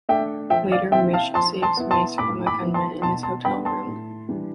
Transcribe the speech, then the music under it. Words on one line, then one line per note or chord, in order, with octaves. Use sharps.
Later, Mitch saves Mace from a gunman in his hotel room.
A3 D4 E5 G5
F3 E5 G5
D5 F5
C4 E4 E5 G5
F5 A5
F3 A5 C6
A5 C6
B3 E4
A5 C6
A2 B5 D6
B5 D6
F3 B3 E4
A5 C6
B2 A5 C6
A5 C6
G3 B3 D4 G5 B5
A5 C6
A2
E3 G3 D4